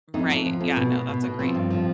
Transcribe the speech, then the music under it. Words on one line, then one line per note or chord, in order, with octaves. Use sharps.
Right, yeah, no, that's a great
F2 D#4
F2
F3
F2
B2
B2
B2
B2
F3 C4
G2
F3